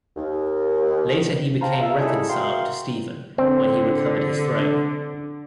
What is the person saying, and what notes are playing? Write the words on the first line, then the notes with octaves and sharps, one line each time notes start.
Later he became reconciled to Stephen when he recovered his throne.
D#2
C5 F5 G5 A5 A#5
F4 E5
G3 C#4 D#4 E4 G#4 A4
F#4 A#4 E5 F5 G5 C6
D3 C4